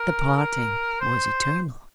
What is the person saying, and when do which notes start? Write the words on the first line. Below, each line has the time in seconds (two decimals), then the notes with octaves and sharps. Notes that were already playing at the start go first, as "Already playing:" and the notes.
The parting was eternal.
Already playing: A#4
0.36 A#4
1.00 C5